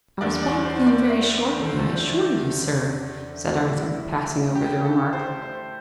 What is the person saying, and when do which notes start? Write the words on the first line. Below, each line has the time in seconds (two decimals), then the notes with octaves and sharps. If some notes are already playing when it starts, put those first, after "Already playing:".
"I was back again very shortly, I assure you, sir," said Arthur, passing over the remark.
0.21 E2 D3 G3 D5
0.43 D5
0.65 C5
0.86 D5
1.09 E5
1.38 D5
1.62 A4
1.66 C5
1.95 C5
3.68 A2 G3 E4
4.55 G4
4.85 A4
5.13 C5
5.42 C5